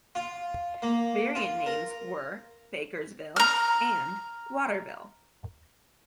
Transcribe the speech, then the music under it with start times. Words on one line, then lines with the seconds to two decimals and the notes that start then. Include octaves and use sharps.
Variant names were "Bakersville" and "Waterville".
0.15 F4
0.82 A#3
1.35 F4
1.66 A#4
3.36 A#5 F6